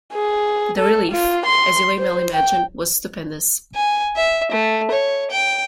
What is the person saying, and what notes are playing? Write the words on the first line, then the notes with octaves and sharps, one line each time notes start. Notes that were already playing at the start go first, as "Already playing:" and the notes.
The relief, as you may well imagine, was stupendous.
G#4
A4
F4
C6
C5
G5
G#5
E5
A3
C#5
G5